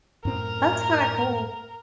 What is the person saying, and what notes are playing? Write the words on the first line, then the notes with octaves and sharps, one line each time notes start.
That's kinda cool.
F#2 A2 C4 A#4